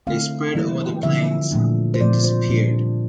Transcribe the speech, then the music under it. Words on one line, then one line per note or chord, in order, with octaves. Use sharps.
They spread over the plains, then disappeared.
D3 A3 C4 E4 F5
E3 G3 A#3 E4
D3 F3 C4 E4 E5
A#2 F3 A3 D4
C5
A#2 F3 A3 C4 F4 D5
C5
A#2 G3 D4